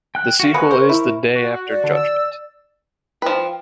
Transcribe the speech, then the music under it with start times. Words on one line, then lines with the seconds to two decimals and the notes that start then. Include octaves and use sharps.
The sequel is "The Day After Judgment".
0.15 G5 F#6
0.40 F#4 F5
0.54 G#3 B3 A#4 B4 C#6
0.71 C5
0.89 E4
1.35 F#4
1.68 D5
1.84 D3
1.96 E6
3.22 F3 B4 G5